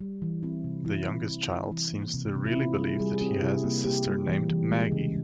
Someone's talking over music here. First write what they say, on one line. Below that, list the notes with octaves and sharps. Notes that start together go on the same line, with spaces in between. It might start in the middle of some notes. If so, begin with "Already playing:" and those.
The youngest child seems to really believe that he has a sister named Maggie.
G3
E3
C4 E4
C3
E3 E4
C4
E3
C4
E3
A#3
C3
C3
E4
C4 F4
G3 G#4
G3 G#4
G#4
C4 G4
C3 E4
A#3
A#3 G4
G3
E3
E3
G#3
C#3